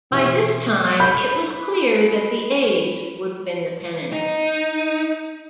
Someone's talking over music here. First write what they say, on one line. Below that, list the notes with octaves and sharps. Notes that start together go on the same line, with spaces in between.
By this time, it was clear that the A's would win the pennant.
B2 E3 G4 E5 C6
B5 G6
D#4